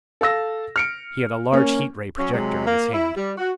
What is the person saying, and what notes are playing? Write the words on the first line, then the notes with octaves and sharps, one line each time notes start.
He had a large heat-ray projector in his hand.
A4 F5 E6 A#6
F6 C#7 D7
A#3 C#4
F#3 C#4
C3 F#3 G#3
A#3
E4
G3
F#4